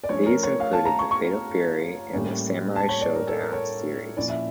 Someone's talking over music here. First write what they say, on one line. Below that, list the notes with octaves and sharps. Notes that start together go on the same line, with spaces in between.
These included the Fatal Fury and the Samurai Shodown series.
D5
F3 A3 C#4 C#5
A#4
C#5
F5
A5
A#5
C#6
C#6
A2 G3 A#3 C#4
A5
C#5
D5
A#4
A4
A#4
C#5
A#2 F3 C#4 E4 D5
E5